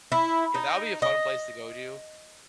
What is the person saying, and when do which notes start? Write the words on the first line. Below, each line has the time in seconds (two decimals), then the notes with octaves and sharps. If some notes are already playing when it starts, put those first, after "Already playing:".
Yeah, that'll be a fun place to go to,
0.12 E4
0.54 D#4
1.02 D#5